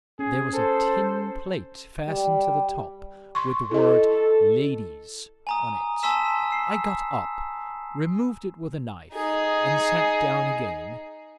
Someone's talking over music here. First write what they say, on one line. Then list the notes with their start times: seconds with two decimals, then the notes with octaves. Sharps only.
There was a tin plate fastened to the top, with the word "LADIES" on it. I got up, removed it with a knife, and sat down again.
0.19 C#4 G#4
0.53 A4 C5
2.08 G3
3.35 C6 C#6
3.71 E4 A4 D#5
5.47 G#5 A#5 D#6
6.03 G#5 A5 C6 E6 B6 E7
6.51 E6 C7
9.12 D#4 G#4